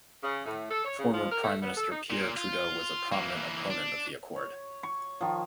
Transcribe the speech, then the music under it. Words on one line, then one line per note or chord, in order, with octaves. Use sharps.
Former Prime Minister Pierre Trudeau was a prominent opponent of the Accord.
C#3
A2
A4
C#5
C#3
F3
A#4
A3
B3
A4
D#4
A#2
F4
E3 A#3
D4
C#5
C#6
D#3 F3